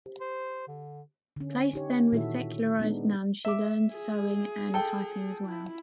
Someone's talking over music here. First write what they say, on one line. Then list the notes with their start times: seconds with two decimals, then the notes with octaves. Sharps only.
Placed then with secularized nuns, she learned sewing and typing as well.
0.20 C5
0.68 D3
1.36 D3 C#4
1.73 D#4 G4 C#5
2.12 A#2 D#3 E4 F#4 A4 E5
2.80 G#3 B3 D4 D#4
3.45 E5 D6
3.91 G#4
4.74 A4 G5
5.46 E4